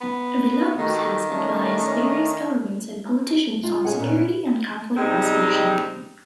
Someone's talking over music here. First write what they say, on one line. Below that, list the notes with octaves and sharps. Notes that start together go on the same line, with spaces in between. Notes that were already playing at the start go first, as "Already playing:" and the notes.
Villalobos has advised various governments and politicians on security and conflict resolution.
B3
D#3 F#4 G4 A4
A3 C#4 D4
F4
C#4 G#4 F#5
A#2 B3 C#4
C3 G3 G#3 C4 D#4